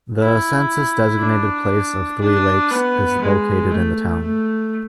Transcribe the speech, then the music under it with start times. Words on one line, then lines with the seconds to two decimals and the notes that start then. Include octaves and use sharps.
The census-designated place of Three Lakes is located in the town.
0.20 E4
1.20 D4
2.21 D4
2.71 B3
3.21 G#3
3.71 A3
4.22 A3